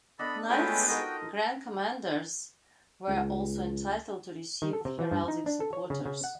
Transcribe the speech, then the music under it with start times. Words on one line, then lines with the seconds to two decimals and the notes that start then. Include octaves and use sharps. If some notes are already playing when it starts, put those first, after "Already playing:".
Knights Grand Commanders were also entitled to receive heraldic supporters.
0.19 B3 D4 A4 D#5 B5
0.49 G#3 A3 B3 C#4 F4 B4 G5
0.88 D#4 F#4 A4 A#4 D#5 G5
3.08 C#2
4.62 D#3
4.73 A4
4.85 C3
4.99 E3
5.11 G2
5.28 D#4
5.46 D4
5.60 A4
5.73 C#5
5.90 C#3
6.06 C#3
6.24 F#5